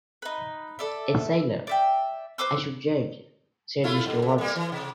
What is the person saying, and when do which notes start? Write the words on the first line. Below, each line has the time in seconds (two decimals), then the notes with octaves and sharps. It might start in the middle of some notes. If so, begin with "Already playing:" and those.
"A sailor, I should judge," said Mr. Watson.
0.22 D#4 B4
0.79 A4 D5 E5
1.67 D5 E5 G5
2.38 B4 C5 D6 E6
3.84 A3 E4 F4
4.06 F#2
4.22 C#3
4.38 G3 A#3
4.56 E3
4.72 C3